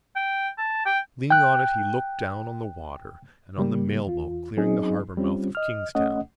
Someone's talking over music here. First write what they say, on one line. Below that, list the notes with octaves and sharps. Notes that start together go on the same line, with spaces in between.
Leaning on it he looked down on the water and on the mailboat clearing the harbourmouth of Kingstown.
G5
A5
G5
G5 F#6
C#3 G3 A#3
E2 F4
F#3 C4 C#4 D#4 G#4 D#5
G3 C4 C#4 F4
D#5 F6
A3 C#4 D#5 F#5